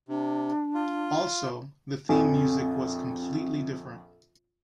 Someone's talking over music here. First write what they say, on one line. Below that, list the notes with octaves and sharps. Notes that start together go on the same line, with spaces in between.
Also, the theme music was completely different.
C3 D4
F4
A#1 F2 C4 A4 G#5